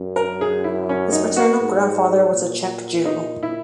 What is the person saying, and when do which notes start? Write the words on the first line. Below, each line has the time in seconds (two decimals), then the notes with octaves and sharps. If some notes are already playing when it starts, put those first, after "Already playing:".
His paternal grandfather was a Czech Jew.
Already playing: F#2
0.16 A#4
0.41 G#4
0.64 E4
0.89 C#4
1.12 D#4
1.36 F#4
1.61 G#2
2.34 A#2
3.05 D#4
3.43 E4